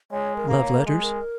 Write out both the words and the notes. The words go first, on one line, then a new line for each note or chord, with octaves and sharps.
"Love letters."
G#3 C#5
A#4
A#3
C#5
A#4
G#3 G#4
A#4